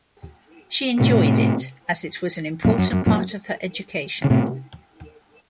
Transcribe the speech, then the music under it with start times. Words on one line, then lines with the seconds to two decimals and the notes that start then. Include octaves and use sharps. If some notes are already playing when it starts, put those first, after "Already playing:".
She enjoyed it, as it was an important part of her education.
1.00 A2 C3
2.65 F#2 A#2
2.78 F#2
2.92 F#2
3.06 F#2 A#2
4.24 C#3
4.30 A2 C3